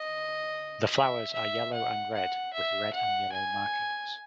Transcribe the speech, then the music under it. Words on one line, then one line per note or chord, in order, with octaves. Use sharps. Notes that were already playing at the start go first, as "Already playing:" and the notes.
The flowers are yellow and red with red and yellow markings.
Already playing: D#5
E5
E5
F#5
F#5
E5
F#5
G#5